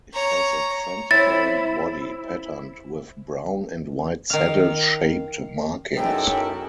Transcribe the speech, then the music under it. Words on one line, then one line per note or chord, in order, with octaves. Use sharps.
It has a transparent body patterned with brown and white saddle shaped markings.
C#5 A#5
C4 E4 C#5 A6
D#3 F5
F#2 B3 D#4 E4 G#4 A4 G5